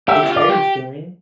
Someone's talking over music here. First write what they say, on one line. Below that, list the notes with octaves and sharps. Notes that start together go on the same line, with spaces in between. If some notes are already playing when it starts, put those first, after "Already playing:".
it's very healing,
G4 E5
E4
F4
D5
G4